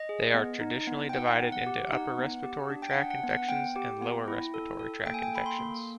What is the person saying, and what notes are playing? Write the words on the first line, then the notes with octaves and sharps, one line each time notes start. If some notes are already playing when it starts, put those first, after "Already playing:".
They are traditionally divided into upper respiratory tract infections and lower respiratory tract infections.
Already playing: D#5
G#4
B3
D#4
B3
G5
D#4 F#5
B3
F#5
G4
D#4 F#5
B3
G4
D4
G5
F#5
D4
F#5
B3
F#5
B3 G5
G4
B3
E4
A4
A4
A#3 G5
G#5
G5
A4 B5
C6
A#3